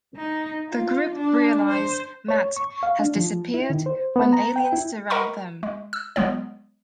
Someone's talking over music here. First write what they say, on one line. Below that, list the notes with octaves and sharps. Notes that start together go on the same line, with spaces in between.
The group realize Matt has disappeared, when aliens surround them.
D#4
F4
D4
C5
C#5
C#6
F5
D4
F3
E4
D#3
C5
B3
A#5
G5
E4
A#4 D#5 F#5 A#5 B5 C#6
G#3
E6
F#3 G#3 B3 C#5